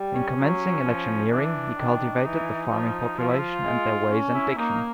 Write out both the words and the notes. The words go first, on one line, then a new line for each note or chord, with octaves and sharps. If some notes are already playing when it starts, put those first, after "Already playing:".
In commencing electioneering, he cultivated the farming population and their ways and diction.
Already playing: G3
C#4
F#3
F3
E3 D4
D#3
E3 D#4
F3
F3 F4
E4
F4
G#3
C#4
E4
A#3 D#4